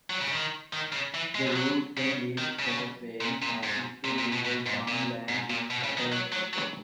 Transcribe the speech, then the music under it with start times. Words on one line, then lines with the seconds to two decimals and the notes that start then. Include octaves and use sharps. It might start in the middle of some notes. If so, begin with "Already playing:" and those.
The route then leaves Fort Wayne, passing through rural farm land with scattered houses.
0.10 F#3
0.21 C#3
0.31 D#3
0.73 D#3
0.93 C#3
1.14 E3
1.35 G#3
1.56 F#3
1.97 C#3
2.38 D#3
2.59 C#3
3.21 A#2
3.42 A#2
3.63 G#2
4.05 A#2
4.19 A#2
4.33 B2
4.45 B2
4.66 G#2
4.88 A#2
5.29 G#2
5.50 A#2
5.70 B2
5.84 C#3
5.98 D#3
6.12 F#3
6.33 F#3
6.54 F#3